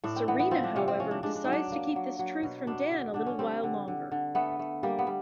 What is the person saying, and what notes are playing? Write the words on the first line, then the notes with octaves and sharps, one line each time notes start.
Serena, however, decides to keep this truth from Dan a little while longer.
A2 D4
C4
E3 B3
B3
F3 C4
D4
C3 C#4
C4
F3 C#4
D4
G#3 D4
D4
F#3 D#4
D4
A#3
F#3
F#3
B2
B2 D4
D3
D3 D4
C#4
G3 C4
D3
D3
D3
A3 B3
A3
G3 A#3
B3
G3